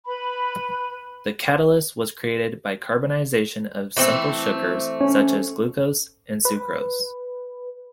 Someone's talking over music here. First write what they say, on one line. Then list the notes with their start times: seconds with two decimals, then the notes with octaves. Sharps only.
The catalyst was created by carbonization of simple sugars such as glucose and sucrose.
0.06 B4 B5
3.97 E3 A3 C4
5.01 C#4
6.45 B4